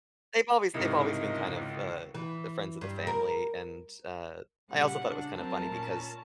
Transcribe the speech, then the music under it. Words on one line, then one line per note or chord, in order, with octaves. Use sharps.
they've always they've always been kind of uh, the friends of the family. And, uh, I also thought it was kind of funny because
C#2 G#2 C3 F3 E4 A#4 D#5
E3
G2
A#4
A#2 C#3 G3 F#5
C#3 D4
F#3 A3 C4 A#4 A5
A#2 C#4